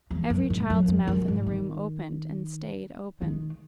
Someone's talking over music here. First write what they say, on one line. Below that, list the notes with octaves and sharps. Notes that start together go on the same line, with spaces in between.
Every child's mouth in the room opened, and stayed open.
E2
F#2
G#2
F#2
F#2
F#2
G#2
D#3
D#3